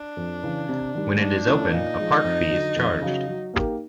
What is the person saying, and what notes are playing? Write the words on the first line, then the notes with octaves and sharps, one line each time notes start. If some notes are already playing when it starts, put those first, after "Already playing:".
When it is open, a park fee is charged.
Already playing: D4
F2
C#3 E3
C3
D#3 G3
G#2 D4
F3 A3 C#4 E4
A#2 D#4
F3 G#3
F2
D3 F#3
F2
C#3 F#3
F#3
A#3 D#4 G4 A#4